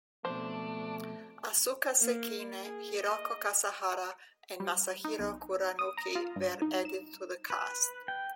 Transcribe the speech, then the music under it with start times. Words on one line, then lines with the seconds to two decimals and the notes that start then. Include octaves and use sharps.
Asuka Sekine, Hiroko Kasahara and Masahiro Kuranuki were added to the cast.
0.25 F2 B2 A3 D4 C5
2.00 A#3
2.64 G#4
2.97 D#5
4.60 G3
5.04 D#4
5.19 B1
5.79 D#6
5.97 A#5
6.15 F4
6.36 G2
6.62 D#4
6.85 E7
7.50 B4
8.08 G5